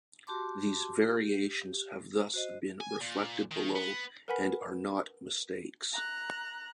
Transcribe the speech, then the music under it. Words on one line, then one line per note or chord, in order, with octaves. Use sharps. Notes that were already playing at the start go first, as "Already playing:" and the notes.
These variations have thus been reflected below, and are "not" mistakes.
F#4 G4 A5 C6 D6
G4
F#4 C5 D#5
G#5
A#2
D#3
B3
A#4 B4 F#5 G#5 B5 B6
A#5 F#6